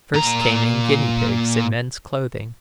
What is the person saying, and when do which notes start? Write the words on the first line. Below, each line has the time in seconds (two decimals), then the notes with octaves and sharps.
First came in guinea pigs in men's clothing.
0.14 A#2 A#5